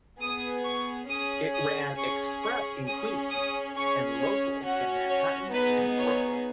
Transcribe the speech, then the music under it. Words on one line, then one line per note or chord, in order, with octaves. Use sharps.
It ran express in Queens and local in Manhattan and Brooklyn.
B3 G#4 D#6
C#6
C#4 G#4 D#6
D#6
C#4 G#4 C#6
C#6
C#4 G#4 D#6
D#6
C#4 G#4 C#6
C#5
C#4 F#4 F#5
C#5
B3 D#4 G#4 B4
C#5